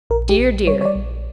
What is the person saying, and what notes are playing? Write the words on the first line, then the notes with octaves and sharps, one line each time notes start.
Dear, dear!
A#1 A#4
G4
A#1
G3 C#5
C#5
D5
A#1